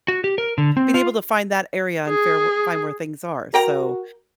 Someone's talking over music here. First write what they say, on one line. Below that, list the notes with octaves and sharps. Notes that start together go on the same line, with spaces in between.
being able to find that area and fair were find where things are, so,
F#4
G4
A#4
D3
C4
F4
G#4
F#4 A#4 G5 A#5